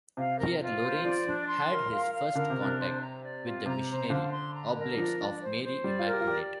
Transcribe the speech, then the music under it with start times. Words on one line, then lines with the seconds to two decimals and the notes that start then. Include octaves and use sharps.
Here Lorenz had his first contact with the Missionary Oblates of Mary Immaculate.
0.17 C3 F5
0.39 A#4
0.61 F4
0.82 C5
1.04 F3 D5
1.26 D4
1.48 C6
1.70 A#4
1.92 F5
2.13 F5
2.35 D3 A#4
2.50 C3
2.57 D4
2.65 C3
2.79 C5
3.00 A#5
3.23 D5
3.44 F4
3.66 C3 A#5
3.89 C5
4.09 D3 F5
4.31 C6
4.53 A#5
4.76 A#4
4.97 F3 D4
5.19 D4
5.41 C5
5.63 C5
5.84 G3 D5
5.99 F4
6.06 A#4
6.13 G4
6.21 F4
6.27 G4 D5